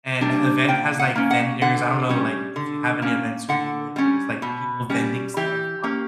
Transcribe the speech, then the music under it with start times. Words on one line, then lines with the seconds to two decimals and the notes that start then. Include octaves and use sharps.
and that event has, like, vendors. I don't know, like, if you have any events where you live where there's, like, people vending stuff on
0.21 G3 A#3 D4
0.68 A#2 G5
0.99 F#5
1.16 A#3 C#4
1.31 F#5
1.61 D3 F#5
2.09 G3 C#4
2.56 D3
3.02 A#3 C#4
3.49 D3 F#5
3.96 G3 C#4
4.42 B2
4.89 G3 C#4
5.37 E3 G4
5.84 A#3 C#4